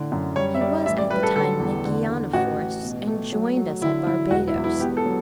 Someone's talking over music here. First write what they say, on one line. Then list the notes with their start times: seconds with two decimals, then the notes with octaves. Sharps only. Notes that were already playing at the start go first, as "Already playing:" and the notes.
He was at the time in the Guiana forests, and joined us at Barbados.
Already playing: A2 D3
0.12 F#2
0.36 G3 C#5
0.55 E5
0.61 G3 D5
0.86 A1 E5
0.98 D5
1.10 G3 B4
1.23 A4
1.35 D3 A4
1.60 E2
1.85 D3
2.09 D3
2.33 A1 F#4
2.58 A1
2.83 B2
3.07 A3
3.32 F#3
3.57 F#3
3.81 D3 E4
4.07 F#3 E4
4.31 E1 F#4
4.48 E4
4.55 E2
4.64 E4
4.80 B3 G4
4.97 A4
5.05 F#3